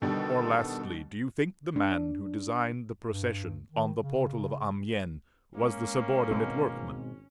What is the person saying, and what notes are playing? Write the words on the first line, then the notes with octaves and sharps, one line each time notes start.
Or, lastly, do you think the man who designed the procession on the portal of Amiens was the subordinate workman?
B2 D3 D#3 G3 B3 A4
D4
G2
D#3
C#3
G#3 A#3 C#4
G#1 B2 G#3 C4